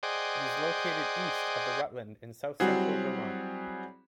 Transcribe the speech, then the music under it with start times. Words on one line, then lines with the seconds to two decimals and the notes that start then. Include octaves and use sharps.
It is located east of Rutland in south-central Vermont.
0.03 G#4 C5 D5 D#5 F#5 G5
2.60 F#3 G3 C4 E4 F#4 G#4